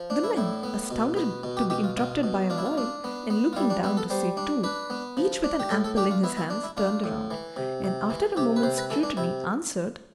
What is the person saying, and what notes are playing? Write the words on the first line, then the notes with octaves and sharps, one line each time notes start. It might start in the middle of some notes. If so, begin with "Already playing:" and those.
The men, astounded to be interrupted by a boy, and looking down to see two, each with an apple in his hands, turned around, and after a moment's scrutiny, answered.
Already playing: F3
D4
E4
A2 E4
B3
B2
B3
B2
G4
B2 G4
F4
B2 F4
B2
D4 F4
E4
F4
D4
B3
B3
F4
G3 E4
D4
B3 E4
A4
G3 C5
D4
D4 B4
B3
F3
D4
G4
A2 A4
A4
D4 G4
F4
B3 E4
E4
D4
E4
D4 F4
A2
E3
C3
C3
E3
C3 G4
B4
C3 C5
B4
E3 A4
D4
C3 E4